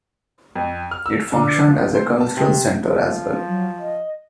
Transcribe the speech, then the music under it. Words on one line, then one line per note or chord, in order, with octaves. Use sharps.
It functioned as a cultural centre as well.
F2
F6
E6
D3
F3
C5
A#2
A5
C3
F3
F#3
D#5